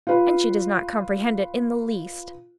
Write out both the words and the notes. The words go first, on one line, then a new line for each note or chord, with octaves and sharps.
"And she does not comprehend it in the least."
F4 B4